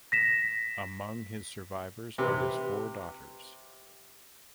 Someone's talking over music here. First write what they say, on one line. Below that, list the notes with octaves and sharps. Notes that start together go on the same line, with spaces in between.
Among his survivors are his four daughters.
A#6 B6 E7
C3 B4